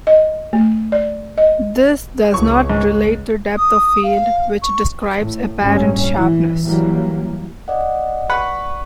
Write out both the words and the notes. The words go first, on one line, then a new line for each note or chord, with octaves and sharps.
This does not relate to depth of field which describes apparent sharpness.
D#5
A3
D5
D#5
C#2 C#6
G#2
D#6
F5
C#6
A2
A1 D2 G2 A#2 G3 C#4
E3
E3 F#3 G3 A#3
D5 D#5 F#5
B4 D5 F#5 B5 C#6